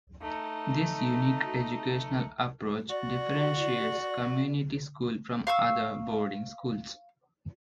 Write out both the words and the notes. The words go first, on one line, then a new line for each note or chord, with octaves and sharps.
This unique educational approach differentiates Community School from other boarding schools.
A3 D#4
F#4 D5
F5 C#6 E6